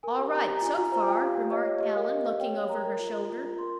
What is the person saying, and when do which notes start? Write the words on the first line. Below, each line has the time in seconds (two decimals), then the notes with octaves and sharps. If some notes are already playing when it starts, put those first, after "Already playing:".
"All right, so far," remarked Allan, looking over her shoulder.
0.03 A#4 G#5
0.18 G4
0.33 G4 A#5
0.47 G4
0.57 A#5
0.62 F4 G#5
0.77 F4 A#5
0.92 C5 A#5
1.03 G5
1.07 F4 G#5
1.22 G4 F5
1.36 G4
1.51 C#5 D#5
1.66 C#5 D#5
1.80 G4 D#5
1.95 A#4 F5
2.11 G4 D#5
2.25 G4 F5
2.40 C#5 G5
2.55 C#5
2.69 A#4 A#5
2.85 A#4
3.00 F4
3.14 F4
3.29 F4
3.43 F4
3.58 A#4 C6